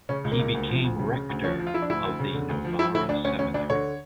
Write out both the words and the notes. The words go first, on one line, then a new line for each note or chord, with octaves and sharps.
He became rector of the Novara seminary.
C#3 C#4
C#2
A#3
C#2
D2
F3
D2
C#3
C#3
D2
F3 C#4
F3
F4
F3 E4
D4
D2 E4
D2
C#3
D3
D2
F3
F3 E4
D2 E4
D2 D4
D2 C#4
D2 C#4
D2 D4
D3 C#5